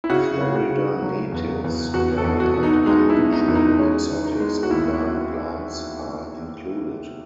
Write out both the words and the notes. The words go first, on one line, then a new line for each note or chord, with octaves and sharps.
Florida natives, rare and unusual exotics and garden plants are included.
E4
C#3 F#4
C#3
F#4
C#3
F#3
E2
E2
E2 F#4
A4
E2
F#4
B2
D#4
G#3 D#4
E4
B2
D#4
E2
D#4
G#3 C#4
D#3
D#4
G#3
F#4
D#2 E4
E4